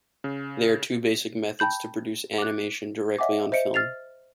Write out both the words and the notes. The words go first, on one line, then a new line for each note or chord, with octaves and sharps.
There are two basic methods to produce animation directly on film.
C#3
G5 A5 B5 G6 F#7
D6 F#6
C#5 D#5 E5 F#5 G#5 D6
C5 D#5 E5 C#7 D7
F6 A6 C7 F7